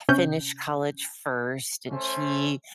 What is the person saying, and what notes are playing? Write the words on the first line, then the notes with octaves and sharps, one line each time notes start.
finished college first, and she
C3 C#4 G6
A3 C#4 C5